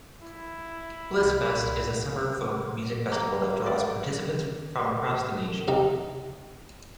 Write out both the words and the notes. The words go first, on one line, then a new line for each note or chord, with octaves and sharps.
Blissfest is a summer folk music festival that draws participants from across the nation.
E4
C2 E4
A#3
D5
C3 C4 D#4 A#5